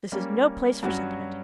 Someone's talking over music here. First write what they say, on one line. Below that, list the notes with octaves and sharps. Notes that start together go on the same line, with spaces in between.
This is no place for sentiment.
G3 A#3 C#4
G2 F#3 C#4 F#4